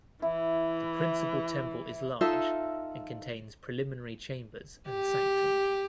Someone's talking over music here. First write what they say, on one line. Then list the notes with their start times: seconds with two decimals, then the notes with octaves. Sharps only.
The principal temple is large and contains preliminary chambers and sanctum.
0.22 E3 E4
2.21 D#4 F4 A4 E5
4.90 G4